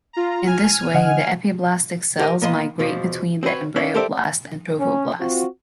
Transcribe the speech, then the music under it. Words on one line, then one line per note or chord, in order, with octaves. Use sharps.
In this way the epiblastic cells migrate between the embryoblast and trophoblast.
F4 A#5
G#5 F6
D3 D#5 F#5
G4 A#4 C5 D#5
A#3 B3 D#5 A5 C6
E2 B2 F3
C4 F#4 G4 B4 C#5
C#4 E4 B4 D5 E5 F5
G4 A4 A#4 C5 D5 E5
C#4
C4 F4 F#4